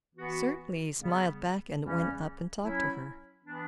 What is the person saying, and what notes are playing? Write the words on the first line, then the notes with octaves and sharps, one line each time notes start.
Certainly he smiled back, and went up and talked to her.
E3 B3 F#4
C#3 G3 B3
E2 C#3 E3 G3 C#4
F#3 C#4 E4
E3 B3 D4